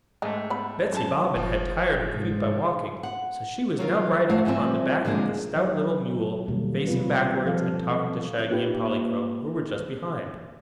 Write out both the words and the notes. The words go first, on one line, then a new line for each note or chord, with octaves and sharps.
Betsy Bobbin had tired her feet by walking, so she was now riding upon the back of the stout little mule, facing backward and talking to Shaggy and Polychrome, who were just behind.
G#2 G#3 A3 D#4
B3 B5
F#2 A#4 C5 A5
F#1 F3
G#2 C3
F#5
F#3 F4 A#4
A3 C5 F5 F#5
E3 F3 G3 C4 E4
D3 F3 G#3 A#3 D4
F#3 D#4 C#5
B2 D#3 F3 G3 A#3
C3 G3 C4 F4 A#4 B4
F3 C4 A4 F5
A#3 D#4 F4 G4 B4